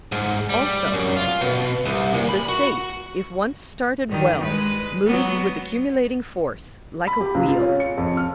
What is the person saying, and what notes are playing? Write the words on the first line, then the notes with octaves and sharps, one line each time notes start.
Also, I said, the State, if once started well, moves with accumulating force like a wheel.
G#2
G3
F#2
F4
B2
C2
A#2
B5
F#4
G2 D#3
G#3 B4
F#3 B3
B5
G4
C#2
F4
C#4
C#7
F2
F6